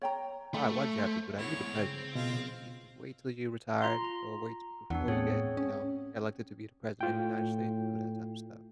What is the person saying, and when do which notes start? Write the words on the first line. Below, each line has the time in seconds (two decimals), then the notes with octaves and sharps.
why? "Why did you'd have to do that, you're the president, you know, you you wait till you retired or wait before you get, you know, elected to be the president of the United States to do that type of stuff."
0.02 C#5 G5 A#5
0.54 A3 B5
0.98 C5
1.38 E2 G#2 E4 C#5
1.75 C#3 C4
2.15 B2 F4
3.82 F4 A#5 C6
4.05 A#5
4.90 E2 B3 D4 F#5
5.08 A2 C4 G#4 C#5
5.57 C#4
7.01 A2 F4 G5